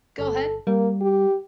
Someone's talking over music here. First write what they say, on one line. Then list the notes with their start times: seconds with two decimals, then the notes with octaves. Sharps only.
Go ahead.
0.19 G1 A4
0.67 G3 A#3
1.01 G4